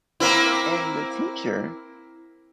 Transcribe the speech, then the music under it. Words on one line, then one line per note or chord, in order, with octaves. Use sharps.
and the teacher
A#3 C4 E4